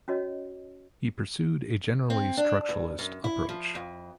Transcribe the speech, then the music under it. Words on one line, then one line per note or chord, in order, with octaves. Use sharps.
He pursued a generally structuralist approach.
C#4 F#4 C#5 D#5
C4
D4
E2
F#2
E4
F3
F2